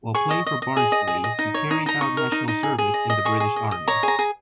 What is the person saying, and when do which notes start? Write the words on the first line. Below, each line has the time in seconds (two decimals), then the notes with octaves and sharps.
While playing for Barnsley, he carried out national service in the British Army.
0.15 G#4 C#6
0.31 D#5
0.46 D#5
0.62 D#5
0.77 G#4
0.92 D#5
1.07 G#4
1.24 D#5
1.39 D#4
1.54 C#5
1.71 D#4
1.86 D#4 A#5
2.01 D#4 C#6
2.17 A#4
2.32 D#4
2.48 D#4
2.63 G#4
2.78 G#4
2.94 D#5
3.10 D#5
3.25 G#4 C#6
3.40 G#4
3.56 D#5
3.71 D#5
3.88 C#5 A#5
4.03 G#4 A#5
4.19 G#4